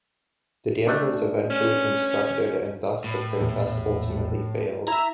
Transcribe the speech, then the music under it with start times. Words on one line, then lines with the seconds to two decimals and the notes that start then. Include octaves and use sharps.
The dam was eventually constructed and thus the protest ultimately failed.
0.85 A3 D4 A4
1.50 C#4
3.04 A2
3.40 A#1 E2
4.88 E4 E5 A#5